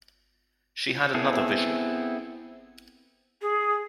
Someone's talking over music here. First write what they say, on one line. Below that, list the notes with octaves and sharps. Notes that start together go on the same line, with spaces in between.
She had another vision.
B3 C4 E4 G#4 A4
G#4